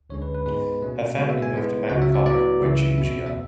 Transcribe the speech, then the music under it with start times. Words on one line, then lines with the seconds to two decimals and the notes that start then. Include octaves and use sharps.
Her family moved to Bangkok when she was young.
0.10 D2 D3 G#3 C#4 C#5
0.22 B4
0.35 B4
0.46 G#2 G#3 B3 B4
0.82 B2 A3 C#4
1.18 B2 G#3 B3 C#5
1.30 E5
1.42 G#5
1.53 A2 G#3 B3
1.90 C#2 C#3 F#3 F#5
2.02 E5
2.14 D5
2.25 A2 F#3 B3 D5
2.62 C#2 C#3 E3 E5
2.98 E2 B2 A3 C#4 E5
3.26 E5